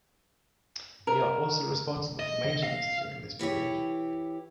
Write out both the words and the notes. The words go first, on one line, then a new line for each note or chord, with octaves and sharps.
They are also responsible for maintenance during this period.
A#4
D#5
F5
E3 E4 G4 C#5